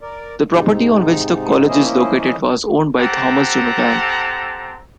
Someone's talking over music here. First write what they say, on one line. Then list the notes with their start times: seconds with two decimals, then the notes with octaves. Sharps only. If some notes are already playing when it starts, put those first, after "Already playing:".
The property on which the College is located was owned by Thomas Donovan.
0.01 A#4 D5
0.51 G#2 C3 D#4
1.68 F3 A#3 C#4 E4 C5 D#5
2.98 C4 G4 A4 F#5 A5 A#5